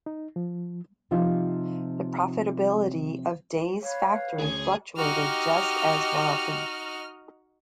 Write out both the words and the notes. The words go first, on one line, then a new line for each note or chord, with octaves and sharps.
The profitability of Day's factory fluctuated just as wildly.
D#4
F3
C3 F3 D#4 F4
B4 C#5 F5
D2 C#4 G#4 G#5
D#4 F#4 G4 D#5 F6